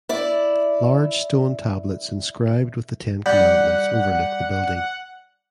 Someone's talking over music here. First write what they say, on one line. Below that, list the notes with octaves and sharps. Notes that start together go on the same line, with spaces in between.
Large stone tablets inscribed with the Ten Commandments overlook the building.
E4 D5
G3 F#5